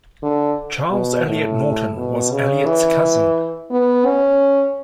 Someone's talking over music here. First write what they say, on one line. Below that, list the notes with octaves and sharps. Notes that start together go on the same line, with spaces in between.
Charles Eliot Norton was Eliot's cousin.
D3
B2
A2
B2
C#3
E3
B3
C#4